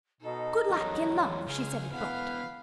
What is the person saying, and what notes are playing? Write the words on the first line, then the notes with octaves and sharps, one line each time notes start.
Good luck in love she said it brought.
B2 D#4 A4
E2 F#3 G3
C#2 G#4 F6
B2 E3 B4 F5 F#5 B5